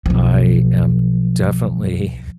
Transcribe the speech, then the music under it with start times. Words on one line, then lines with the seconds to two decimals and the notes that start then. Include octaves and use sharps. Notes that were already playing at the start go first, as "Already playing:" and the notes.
I am definitely
0.06 B1 F3